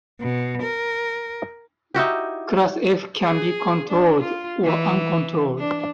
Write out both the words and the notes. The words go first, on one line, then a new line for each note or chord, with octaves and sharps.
Class F can be controlled or uncontrolled.
B2
A#4
D#4 E4 F#4 G4
G#4
D4
F4
E3
D4